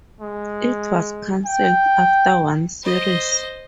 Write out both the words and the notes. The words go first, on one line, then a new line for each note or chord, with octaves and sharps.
It was cancelled after one series.
G#3
G5
C5 D#5